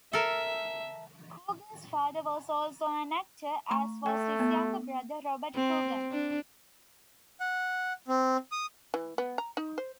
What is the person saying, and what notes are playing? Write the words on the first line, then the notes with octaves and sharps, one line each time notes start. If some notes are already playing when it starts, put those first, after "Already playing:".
Coogan's father was also an actor, as was his younger brother, Robert Coogan.
A4 A#4 E5
A3 A#5 C#6
A3 G5
B3
C4
D4
F#5
C4
D#6
E3
B3
A#5
D#4
C5